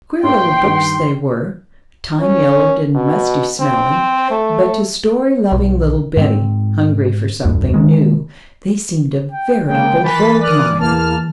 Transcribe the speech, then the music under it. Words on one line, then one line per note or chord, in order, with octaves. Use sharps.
Queer little books they were, time-yellowed and musty smelling, but to story-loving little Betty, hungry for something new, they seemed a veritable gold-mine.
A2 A#3 G5 C6
G2 D#3
C#4
B2
C4
A3
B1
G#2 C4
F1 D2 G2
D#3 G#3
G5
C#3 G#3 A#3 C#4 G5
E3 A#4 G5 G#5 B5 A6 B6
D5 D#6 F6 F#6
E2 A#3 E4 A5 F6